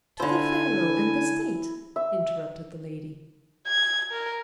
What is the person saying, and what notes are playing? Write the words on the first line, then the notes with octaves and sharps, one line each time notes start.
"To the pharaoh and the state!" interrupted the lady.
D3 E4 C5 G#5
E5
G#6
A#4